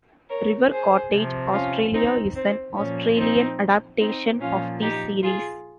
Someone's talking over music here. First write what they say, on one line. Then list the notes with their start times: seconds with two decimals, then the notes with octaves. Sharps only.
River Cottage Australia is an Australian adaptation of the series.
0.29 A#4 C#5
0.70 G#4 C5
1.11 C3 F3
1.52 C#4 F4
1.93 C4 D#4
2.35 C4
2.76 A#2 F3 C#4
3.17 C4 D#4
3.99 C4 D#4
4.40 A#2 F3 C#4 F4
4.82 D#4 G4
5.22 F4 G#4